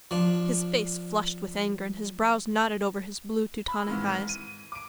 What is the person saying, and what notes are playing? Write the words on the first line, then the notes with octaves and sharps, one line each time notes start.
His face flushed with anger, and his brows knotted over his blue Teutonic eyes.
F3 D4
B5 E6
G#2 D#3 E3
D#7
D6 D7